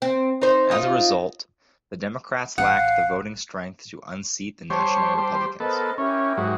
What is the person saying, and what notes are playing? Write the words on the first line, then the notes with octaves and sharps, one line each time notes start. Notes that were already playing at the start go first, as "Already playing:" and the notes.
As a result, the Democrats lacked the voting strength to unseat the National Republicans.
C4
D#4 C5
D#4 F4
A1 F5 F#5
G3 C5 C#5 A5
G3 C5
B3 A4 A#4 C5 D#5
C#4 E4 G4 A#4
G#2 F#3